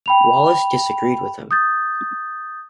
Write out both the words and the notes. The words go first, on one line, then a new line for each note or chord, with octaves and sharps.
Wallace disagreed with him.
G5 B5 F7
D#6 G6 A6